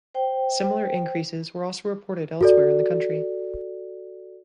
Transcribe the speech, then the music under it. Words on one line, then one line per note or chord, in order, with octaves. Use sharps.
Similar increases were also reported elsewhere in the country.
C5 G5
F#4 A4 D5